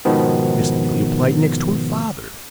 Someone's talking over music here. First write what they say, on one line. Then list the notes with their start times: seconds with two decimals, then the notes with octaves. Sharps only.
Miss Neelie applied next to her father.
0.05 G#2 B2 D#3 F3 B3